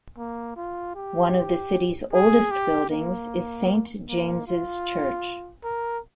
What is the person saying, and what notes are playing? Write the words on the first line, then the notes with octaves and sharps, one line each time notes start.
One of the city's oldest buildings is Saint James's church.
A#3
F4
G4
G#4
G4
A#3
A#3
F4
A#4